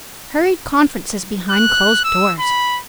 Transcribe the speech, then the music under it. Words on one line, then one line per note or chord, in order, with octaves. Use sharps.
Hurried conferences behind closed doors!
F#6
E6
B5